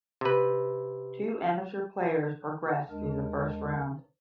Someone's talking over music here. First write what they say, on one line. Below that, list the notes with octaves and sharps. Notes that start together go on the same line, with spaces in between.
Two amateur players progressed through the first round.
C3 B4
D#2 G#3 D4 A#4